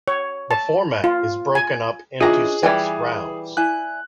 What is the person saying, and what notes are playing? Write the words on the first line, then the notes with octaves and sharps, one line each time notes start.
The format is broken up into six rounds.
C#5
A5
F4
G#5
E3 C#4 D4 F4 G#4 D#5 A#5
E3 G3 B4 D5 G#5
E4 D5 G#5 F#6